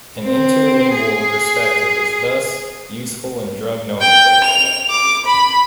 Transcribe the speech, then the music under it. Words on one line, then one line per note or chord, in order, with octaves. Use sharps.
An interlingual perspective is thus useful in drug nomenclature.
C4
G#4
G5
F7
D6
B5